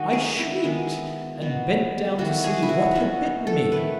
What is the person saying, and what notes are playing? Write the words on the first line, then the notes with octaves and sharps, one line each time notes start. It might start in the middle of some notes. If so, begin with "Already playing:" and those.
I shrieked and bent down to see what had bitten me.
Already playing: D#3 G#3 D#4 F#4
G#4
E4
D#3 G#3 B3 E4
B2 F#3 B3
D#3 A3 E4 F#4
G#4
E4
F#4
B2 G#3 C#4 E4 F#4
A4
D#3 A3 E4 B4